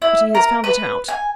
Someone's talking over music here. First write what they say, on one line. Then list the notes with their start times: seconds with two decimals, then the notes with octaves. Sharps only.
But he has found it out.
0.02 E4
0.35 A#4
0.64 B4
1.08 G#5